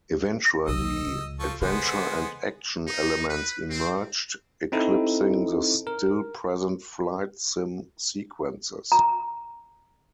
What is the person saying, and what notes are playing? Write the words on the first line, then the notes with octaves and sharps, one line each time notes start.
Eventually, adventure and action elements emerged, eclipsing the still-present flight sim sequences.
B1 D#5 E6
C#2
F3 A4 C#6
D3 G#3 B3 C5
D#4
B4
C4
C4 D#4 E4 A4
A#4
A#5